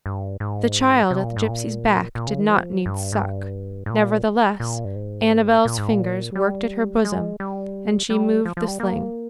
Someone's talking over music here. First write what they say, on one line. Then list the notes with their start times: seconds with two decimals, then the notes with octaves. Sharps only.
The child at the gipsy's back did not need suck; nevertheless, Annabel's fingers worked at her bosom, and she moved the sling.
0.06 G2
0.40 G#2
1.11 C3
1.24 A#2
1.36 G#2
1.50 A#2
2.15 A#2
2.27 C#3
2.39 D#3
2.51 F3
2.86 G2
3.13 G#2
3.21 G2
3.86 G#2
3.90 A#2
4.60 A#2
4.85 G2
4.95 G#2
5.65 A#2
5.78 G#2
5.91 A#2
6.36 G3
7.05 G#3
7.40 G3
8.10 G3
8.45 F3
8.57 F3
8.68 G3
8.80 A#3